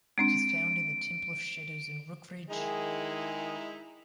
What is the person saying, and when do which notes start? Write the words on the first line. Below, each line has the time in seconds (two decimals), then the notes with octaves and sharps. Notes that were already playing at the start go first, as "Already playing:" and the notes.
It is found in the Temple of Shadows in Rookridge.
0.18 G#3 C4 D4 D7
2.50 D#3 G#3 D#4 E4 G#4